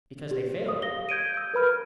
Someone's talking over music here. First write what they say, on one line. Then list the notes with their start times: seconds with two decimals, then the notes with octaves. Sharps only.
"Because they failed."
0.31 G4
0.69 D#6
0.82 F5 A#6 G7
1.09 G6 G#6 D7 D#7
1.34 E6 G6
1.54 A#4 B4 B5 F6